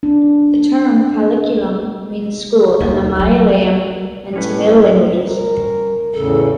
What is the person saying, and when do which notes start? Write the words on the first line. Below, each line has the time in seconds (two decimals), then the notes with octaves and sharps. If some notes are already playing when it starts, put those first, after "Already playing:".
The term "Pallikoodam" means school in the Malayalam and Tamil languages.
0.03 D4
2.81 D#2
3.19 F#3
4.33 A2 G3 C#4 B4
5.25 A#4
6.14 E2 A2 C#3 A4